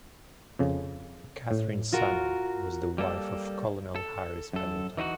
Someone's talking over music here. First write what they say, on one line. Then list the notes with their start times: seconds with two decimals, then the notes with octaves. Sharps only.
Katherine Sanno was the wife of Colonel Harris Pendleton.
0.59 F2 C#3
1.51 A2
1.92 F4 F#4 A#4
2.98 G3 A#3 A4
3.96 A4
4.53 F#2 A4
4.97 E3 D#4 F4 F#4